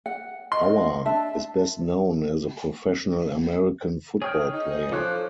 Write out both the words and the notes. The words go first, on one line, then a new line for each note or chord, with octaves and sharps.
Auer is best known as a professional American football player.
F#5
D#5 C6
D4 E5 A5
G#4 C#5 G5 D#6 F6
D#4
F3 F4 A4 C#5 D6 F#6